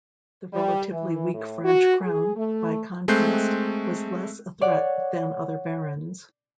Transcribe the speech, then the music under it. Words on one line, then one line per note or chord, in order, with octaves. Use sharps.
The relatively weak French crown, by contrast, was less a threat than other barons.
G3
E3
A2
F#4
G#4
A3
G#3 A3 C4 F#6 G6 C7
C#5 D5 F#5